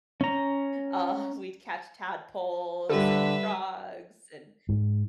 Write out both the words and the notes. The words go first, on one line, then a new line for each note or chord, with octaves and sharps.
uh, we'd catch tadpoles and frogs and
C#4 A#5
D3 G3 G4 A4 B4 E5
G#2